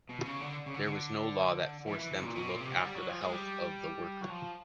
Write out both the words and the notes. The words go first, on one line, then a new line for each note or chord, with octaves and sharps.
There was no law that forced them to look after the health of the worker.
B2
C#3
D3
C#3
D3
E3
E3
E3
A#2
B2
A#2
C3
D3
G3
F#3
F3
G#3
G3
F#3
F3